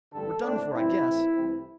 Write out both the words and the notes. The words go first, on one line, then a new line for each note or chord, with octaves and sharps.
"We're done for, I guess."
A1 G2 D3 A4
A2 A3 C4 D4
A1 G2 E3 C4 E4
A2 E3 A3 C4
C2 C3 E3 A3 C4